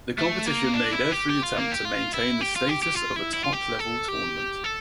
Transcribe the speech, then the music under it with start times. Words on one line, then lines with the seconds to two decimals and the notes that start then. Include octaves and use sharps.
The competition made every attempt to maintain the status of a top-level tournament.
0.19 A3
0.46 A#3
0.74 D4
0.93 E4
1.12 G4
1.30 G4
1.43 F4
1.58 A#3
1.72 G4
1.85 F4
2.14 E4
2.41 G4
2.56 F4
2.69 G4
2.82 G4
2.96 F4
3.16 E4
3.34 E4
3.44 F4
3.53 G4
3.80 A4
4.09 G4
4.64 A4